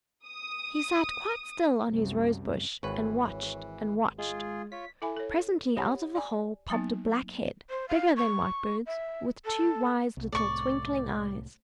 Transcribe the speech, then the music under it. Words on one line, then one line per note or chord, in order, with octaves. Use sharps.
He sat quite still on his rose-bush and watched and watched. Presently out of the hole popped a black head, bigger than Whitebird's, with two wise little twinkling eyes.
D#6
C2 F#2
G#1 E3 B4 C#5
G#3 F4 G#4
F4 C#5 B6
E4 A4 E5 G#5 B5
A4 C#5
G4 C#5 F#5 B5
D5 G#5
F#3 A#3 B3 D#4
C5
F5
C#6
E5
A4
C2
C2 A2 D5 C#6